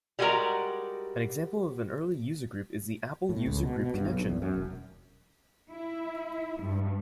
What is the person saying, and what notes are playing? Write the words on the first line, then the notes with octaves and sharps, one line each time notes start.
An example of an early user group is the Apple User Group Connection.
G3 G#3 F#4 G4 A#4 A#5
A2
C#2
B2
B2
G2
B1
E2
F#2
E1
E4
G2